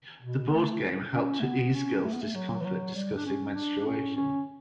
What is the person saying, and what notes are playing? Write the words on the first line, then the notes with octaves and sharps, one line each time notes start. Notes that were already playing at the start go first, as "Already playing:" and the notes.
The board game helped to ease girls’ discomfort discussing menstruation.
B2
B3
A3
C#4
A3
B3
C#4
A3
B3
A3
F#3
E3
F#3
G3
D4
C#4
D4
D4
C#4
C#4